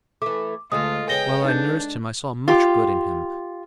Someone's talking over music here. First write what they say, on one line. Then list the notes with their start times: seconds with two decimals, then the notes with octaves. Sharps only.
While I nursed him I saw much good in him.
0.22 E3 A3 D6
0.72 D2 G#3 F4 A4 D#6
1.09 C#3 B3 G5 D#6 A#6 G7
1.45 D4 D#4 G6
2.48 F4 G4